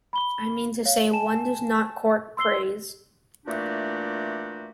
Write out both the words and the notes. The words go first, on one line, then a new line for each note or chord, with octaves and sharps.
I mean to say, one does not court praise.
B5 G7
C#5 F5
G#5 A5 E7
C6 E6 C7 G7
A#2 E3 A3 D4 F#4 G4